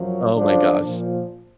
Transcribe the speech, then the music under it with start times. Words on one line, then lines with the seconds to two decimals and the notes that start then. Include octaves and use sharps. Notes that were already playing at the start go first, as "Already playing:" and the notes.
Oh my gosh,
Already playing: F#2 F3 F#3
0.34 F#2 D3 F3 D4
0.81 A#2 F3